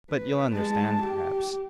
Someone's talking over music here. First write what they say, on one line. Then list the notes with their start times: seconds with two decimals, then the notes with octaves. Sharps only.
But ye'll understand, perhaps.
0.11 B4
0.55 G#3 A5
1.03 G4